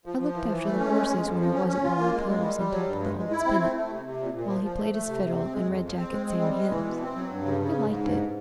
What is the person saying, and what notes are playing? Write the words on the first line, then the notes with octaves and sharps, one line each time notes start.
I looked after the horses when I wasn't rolling pills on top of the old spinet, while he played his fiddle and Red Jacket sang hymns. I liked it.
F3
F3
E3
E3
A3
C#4
G#3
G#3
F2
F3
C#4
C#4
F4
A#3
G#3
G#3
G3
G3
F#3
G2
G#3
G#3
E4
C4
A3
A3
C3
C3
A#2
A#2
F3
F3
A3
A3
C3
C3
C4
G#3
F2
F2
C4
G#3
C4
G3
G#3
E3
B2
C4
F#3
G2
C#3
C#3
G#2
G#2
G2